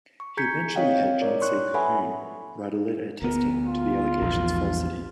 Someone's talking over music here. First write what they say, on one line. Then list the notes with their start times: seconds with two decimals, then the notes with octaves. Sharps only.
He eventually had John C. Calhoun write a letter attesting to the allegation's falsity.
0.20 C#6
0.37 G#4 A#5 G6 G#6 B6 C#7
0.76 C4 C#5 D#5 F5 G5
1.22 A#4 C#5 D5
1.41 C#5 C6 C#6 F#6
1.74 A4 B4 E5 F#5 G#5 B5
3.22 D2 B3 A#4
3.66 F4
4.22 A#1 E2 G#2